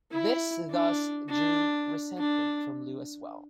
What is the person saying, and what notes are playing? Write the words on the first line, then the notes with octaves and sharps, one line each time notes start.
This thus drew resentment from Lu as well.
E4
D4
D4
D4